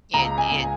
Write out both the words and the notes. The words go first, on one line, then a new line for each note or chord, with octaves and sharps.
It it
C#2 A#5
G#5
C#2